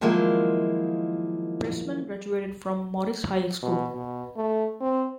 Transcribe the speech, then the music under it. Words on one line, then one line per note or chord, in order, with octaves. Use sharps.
Pressman graduated from Morris High School.
D#3 F3 F#3 G#3 A#3 E4
B2
B2
A3
C4